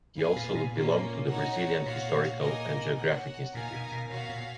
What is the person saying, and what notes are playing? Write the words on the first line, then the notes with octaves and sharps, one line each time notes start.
He also belonged to the Brazilian Historical and Geographic Institute.
G#2 G#4 B4 F5 G#5
A#2
A#2
A#3 C#4 F4
D#4 F#4 C#5 F#5
A#2 F#4 C#5 F5
A#3 D#4 A#4 D#5 G#5
F#4 C#5 F#5
A#2 D#4 A#4 F5 G#5
B2
B2
B2 F#4 C#5 F5
A#2